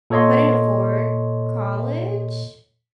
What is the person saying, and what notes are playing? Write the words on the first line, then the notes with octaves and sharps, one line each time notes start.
couldn't afford college,
A#2 A4 C#5 D#5 C6